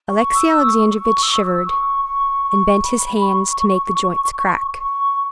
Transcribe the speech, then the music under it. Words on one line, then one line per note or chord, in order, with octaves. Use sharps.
Alexey Alexandrovitch shivered, and bent his hands to make the joints crack.
C#6
E6
C#6
C#6
C#6
E6
C#6
E6
C#6
C#6
C#6
B5
C#6
C#6